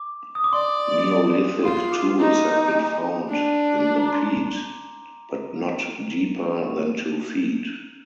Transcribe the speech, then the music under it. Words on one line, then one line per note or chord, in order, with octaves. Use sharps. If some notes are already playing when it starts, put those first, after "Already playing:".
Neolithic tools have been found in the peat, but not deeper than two feet.
Already playing: D6
D#6
D6
D5 C6
F4 C6
D6
C6
D#4 C6
G#5
D4
A#5
D6
C6